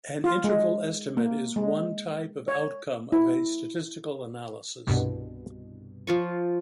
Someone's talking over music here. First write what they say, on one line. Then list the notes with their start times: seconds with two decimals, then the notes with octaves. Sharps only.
An interval estimate is one type of outcome of a statistical analysis.
0.24 F4
0.44 G#3
1.17 A#3
1.56 G#3
2.48 C#5
3.12 E4
4.87 C2 G2 B2
6.07 F3 F4 C#6